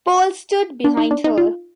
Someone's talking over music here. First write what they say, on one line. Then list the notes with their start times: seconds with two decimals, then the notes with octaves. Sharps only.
Paul stood behind her.
0.84 D4
0.97 D#4
1.11 D4
1.24 D#4
1.38 F4